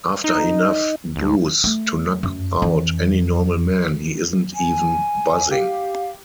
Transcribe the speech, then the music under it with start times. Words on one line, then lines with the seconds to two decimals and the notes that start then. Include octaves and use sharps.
After enough booze to knock out any normal man, he isn't even buzzing.
0.24 D#4
1.16 D2
1.64 A3
2.23 F#2
2.62 F2 E3
4.55 G#5
5.51 G4 F5